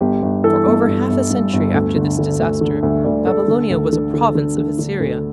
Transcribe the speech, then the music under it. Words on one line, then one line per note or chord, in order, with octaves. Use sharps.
For over half a century after this disaster Babylonia was a province of Assyria.
G1 G4
G1
E3 A4
G1
G2
G1
G2
G1
D2
D3
D3
D2
D3
D2 E5
D2 D5
D2 A4
D3
D2
D3
D3
D3
D3
D3
D2